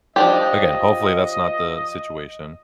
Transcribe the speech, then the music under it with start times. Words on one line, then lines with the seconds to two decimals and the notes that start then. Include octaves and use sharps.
again, hopefully, that's not the situation.
0.16 F3 D4 G4 D#5